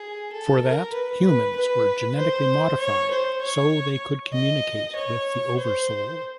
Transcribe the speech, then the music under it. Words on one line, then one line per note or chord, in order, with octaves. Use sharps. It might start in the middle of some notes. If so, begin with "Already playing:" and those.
For that, humans were genetically modified so they could communicate with the Oversoul.
Already playing: G#4
A4
A#4
B4
B4
B4
C5
C#5
C5
C#5
D#5
C#5
C5